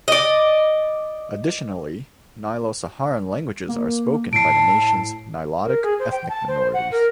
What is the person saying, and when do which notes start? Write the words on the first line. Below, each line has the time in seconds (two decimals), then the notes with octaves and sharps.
Additionally, Nilo-Saharan languages are spoken by the nation's Nilotic ethnic minorities.
0.08 D5 D#5
3.68 A#3
4.33 A2 A5 C7 D7
5.65 A#4
5.83 G#4
5.99 C5
6.11 G5
6.29 A5
6.48 C5
6.74 F#5
6.92 A#4